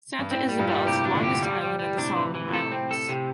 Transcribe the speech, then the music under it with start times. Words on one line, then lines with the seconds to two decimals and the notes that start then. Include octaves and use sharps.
Santa Isabel is the longest Island in the Solomon Islands.
0.19 G2
0.31 A2 C4
0.49 G3
0.59 G2 A#2
0.68 G3
0.86 A2 C3 G4
1.05 D4
1.15 A#2 D3
1.24 G4
1.42 G3
1.61 G3
1.79 G3
1.97 A2 C3 D4
2.16 E3
2.35 E3
2.48 A#2
2.53 A2 C3 A4
2.72 C4
2.91 A4
3.09 C3